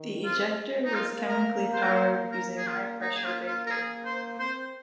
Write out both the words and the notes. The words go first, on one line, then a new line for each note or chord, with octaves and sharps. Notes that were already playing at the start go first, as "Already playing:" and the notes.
The ejector was chemically powered using high pressure vapour.
Already playing: D#3
C4 F4
G#3
D#4
A#3 F4
A#4
C5
A#4
C5
A#3 A#4
G#4
F4
A#3 D#4
G#4
F4
F4
A#4
G#4
C5
C4 C5